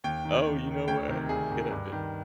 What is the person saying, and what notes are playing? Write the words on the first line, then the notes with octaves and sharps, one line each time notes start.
Oh, you know what? It could have been.
D#2 G5
D#3
D#2
D#3
D2 G5
C3 D#3
D2 G#4
C3 D#3
G2
D#3